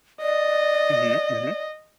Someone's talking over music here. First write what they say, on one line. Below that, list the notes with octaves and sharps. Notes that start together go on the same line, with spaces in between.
Mhm. Mhm.
D5 D#5